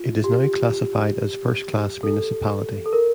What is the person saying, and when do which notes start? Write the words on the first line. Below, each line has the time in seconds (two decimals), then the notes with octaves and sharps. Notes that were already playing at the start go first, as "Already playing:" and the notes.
It is now classified as first class municipality.
Already playing: F4
0.24 G4
2.03 A4
2.86 A4
2.93 A#4